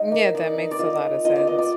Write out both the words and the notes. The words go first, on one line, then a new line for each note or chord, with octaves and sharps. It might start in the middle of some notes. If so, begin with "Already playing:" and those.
M yeah, that makes a lotta sense.
Already playing: D#4 D#5
A#3
D#4 D5
D#4
D5
F4 D#5
F4
F4 D#5
D5
B3 D#5
D5